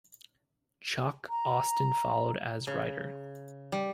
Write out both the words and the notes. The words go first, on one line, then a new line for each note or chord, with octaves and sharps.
Chuck Austen followed as writer.
A#5
C#3
G3